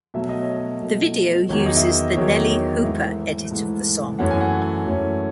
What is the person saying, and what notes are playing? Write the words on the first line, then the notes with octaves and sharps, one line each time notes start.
The video uses the Nellee Hooper edit of the song.
B2 F#3 A3 E5
D#5
C#5
D#5
B2 F#3 A3
E2 D#3 F#3 C#5
D#5
E5
D#5
E2 D#3 F#3 C#5
C#5
G#2 E3 A3 E5
G#2 E3 A3
F#2 E3 A3 C#4 F#5
G#5
F#5
F#2 E3 A3 C#4